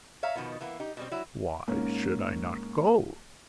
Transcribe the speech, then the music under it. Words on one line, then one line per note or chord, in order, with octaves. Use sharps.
"Why should I not go?"
C#5 E5 F5 A#5
B2 D#3 F3 B3
E3 A#3 B3
D#4 G4
B2 G3 C4
F#3 E4
G#2 A#3 C#4